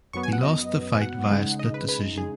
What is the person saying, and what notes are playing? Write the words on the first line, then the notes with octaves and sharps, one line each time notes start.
He lost the fight via split decision.
F#2 F#3 B3 C#6
G#5
F#5
D#5
G#5
F#5
C#3 G#3 D#4
D#5
B4
B4
G#4